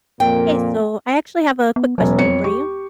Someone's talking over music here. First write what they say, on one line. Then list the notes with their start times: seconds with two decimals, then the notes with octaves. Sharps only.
Hey, so I actually have a quick question for you.
0.20 F2 A#2 A#3 G5
1.76 B3
1.98 E1 F#3 C#4
2.19 F2 C#5 C#7
2.44 G4 C#6